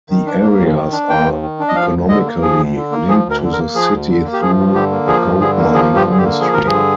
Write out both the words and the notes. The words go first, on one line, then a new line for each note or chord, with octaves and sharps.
The areas are economically linked to the city through the gold mining industry.
D#3
D4
A#3
D#2
D#3
D4
A#3 G5
D#2
D#3
D4
D#5
F3 F5
D2
D3 D#5
A#3
F3 G#4
D2
D3
A#3
F3 G#4
D2
A#4
D3
A#4
A#3
F3 G#4
D2
D3
A#3
G4
F3 G#4
G2
D3 G4
A#3
F3 G#4
G2
D3 G#4
A#3
F3 G#4
G2
G4
D3 G#4
G4
A#3
F3 G#4
G2 A#4
G#4
D3